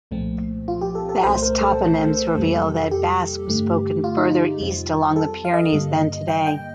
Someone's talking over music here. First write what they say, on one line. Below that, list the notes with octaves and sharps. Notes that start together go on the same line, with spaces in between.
Basque toponyms reveal that Basque was spoken further east along the Pyrenees than today.
C2 A#2 F3 A3 C4
F4
G4
A4
A4
C2 A#2 A3 C4 C5
A#4
A4
F2 C3 G3 A#3
G4
G2 D3 A3
F4
D#4
F4
F2 C3 G3 C4
A4
F5
D#5
G2 D3 G3 A#3
G5
G5